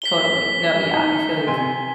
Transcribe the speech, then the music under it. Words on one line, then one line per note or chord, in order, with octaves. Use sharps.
Totally. No, yeah, I feel like
B6 G7
D#4
C3 G#5 C6